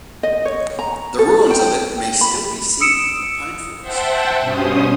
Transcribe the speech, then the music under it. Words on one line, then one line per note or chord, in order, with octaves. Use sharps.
The ruins of it may still be seen in the pine-forest.
D#5
C#5
A#5
A4
G5
B5
D#6 E6 C#7 D7 E7
C5 E5 F#5 G5 A5
G2 B2 C#4 C5 D#6